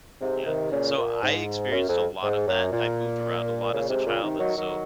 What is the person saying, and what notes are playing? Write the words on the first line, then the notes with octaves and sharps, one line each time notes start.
Yeah, so I experienced a lot of that. I moved around a lot as a child and so,
G#2 C3
C3 D#3
A#2 C#3
A#2
G#2
F#2
F2
G#2
F#2
A#2
A#2 C#3
G#2 C3
A#2 C#3
C3 D#3
D#3 F#3
D#3 F#3